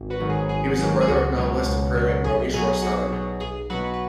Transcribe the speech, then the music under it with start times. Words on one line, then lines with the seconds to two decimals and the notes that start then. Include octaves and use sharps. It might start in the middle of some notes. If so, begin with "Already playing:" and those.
He was the brother of novelist and playwright Maurice Rostand.
Already playing: G#1
0.10 F#4 B4
0.20 G#2 D#3 F#3
0.30 G#4
0.49 G#1 G#4
0.78 G#2 D#3 F#3
1.01 G#4
1.08 C#2 F#4
1.36 B2 F#3
1.66 C#2
1.95 B2 F#3
2.24 B1 G#4
2.54 B2 F#3 G#4
2.82 B1 F#4
3.12 B2 F#3
3.41 B1 G#4
3.70 B2 F#3 F#4 B4
3.94 B4